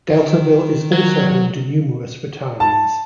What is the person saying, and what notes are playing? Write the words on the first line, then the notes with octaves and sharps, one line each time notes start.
Deltaville is also home to numerous retirees.
D#3
F#3
A5